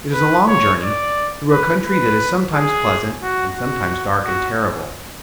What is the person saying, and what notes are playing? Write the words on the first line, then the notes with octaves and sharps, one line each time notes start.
It is a long journey, through a country that is sometimes pleasant and sometimes dark and terrible.
B4
C#5
D5
B4
B4
G#4
F#4
F#4
F#4